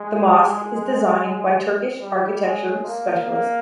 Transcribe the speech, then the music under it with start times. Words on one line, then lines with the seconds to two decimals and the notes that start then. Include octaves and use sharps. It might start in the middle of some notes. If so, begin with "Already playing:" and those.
The mosque is designed by Turkish architecture specialist.
Already playing: G#3
2.00 G3
2.44 G#3
2.87 A#3
3.30 A#3